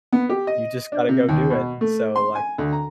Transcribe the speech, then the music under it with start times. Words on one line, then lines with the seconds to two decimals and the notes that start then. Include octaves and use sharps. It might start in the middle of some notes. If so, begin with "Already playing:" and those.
you just gotta go do it, and so, like,
0.12 B3
0.29 G4
0.47 D#5
0.92 D4
1.09 C3
1.29 D#2
1.50 B2
1.81 A3
2.16 C6
2.35 G#5
2.58 D2
2.73 A#5